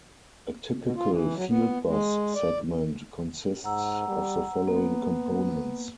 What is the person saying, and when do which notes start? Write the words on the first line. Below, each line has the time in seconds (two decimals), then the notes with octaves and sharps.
A typical fieldbus segment consists of the following components.
0.82 B2
0.96 F4
1.10 E3
1.36 F#3
1.49 B3
1.86 G#3
2.35 D5
3.64 G#2 F#5 A#5 E6
4.08 G3
4.68 A#3 B3